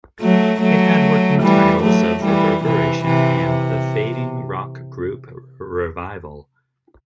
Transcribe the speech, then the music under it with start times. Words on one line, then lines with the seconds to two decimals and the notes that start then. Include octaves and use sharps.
It had working titles of "Reverberation" and "The Fading Rock Group Revival".
0.21 F#3 A3
0.61 F#3 A3
1.42 E3 G3
1.83 F#3 A3
2.23 E3 G3
2.64 C3 E3
3.04 C3 E3
3.45 C3